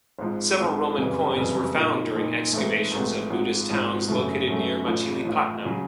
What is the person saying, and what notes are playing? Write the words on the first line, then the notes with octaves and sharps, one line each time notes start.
Several Roman coins were found during excavations of Buddhist towns located near Machilipatnam.
G#1 G#2 F3
G#1 G#2 F3
F#1 F2 C#3 E3 G3
F#1 F2 C#3 E3 G3
A#2 F3 A#3 D#4
A#2 F3 A#3 D#4
G#1 G#2 E3 A3
G#1 G#2 E3 A3
G#1 G#2 F3
G#1 G#2 F3
F#2 C#3 F#3 A3
F#2 C#3 F#3 A3
A1 A2 F3
A1 A2 F3
C#3 F#3